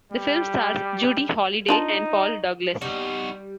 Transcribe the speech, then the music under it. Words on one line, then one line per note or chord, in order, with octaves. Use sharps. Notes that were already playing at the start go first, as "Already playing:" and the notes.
The film stars Judy Holliday and Paul Douglas.
G3
D4 D#4 F4 A5
G3 D#4 F#4